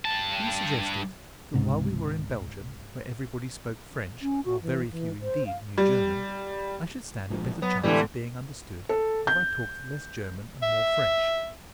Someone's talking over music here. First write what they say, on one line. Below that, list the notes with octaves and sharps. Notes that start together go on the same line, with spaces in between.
B. suggested that while we were in Belgium, where everybody spoke French, while very few indeed knew German, I should stand a better chance of being understood if I talked less German and more French.
G2 A5
C#2 G#2 C3
C#4
F#4
E3
E3
C5
F5
G3
A#1 G#2 F3
F#3 B3
A2 D3 E3 G3 G#3 B3
A4
G6
E5